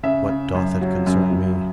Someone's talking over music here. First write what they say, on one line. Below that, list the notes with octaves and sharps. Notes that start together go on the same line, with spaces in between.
What doth it concern me?
C#3 E5
C#3
F#2
F#3
F#2
F#2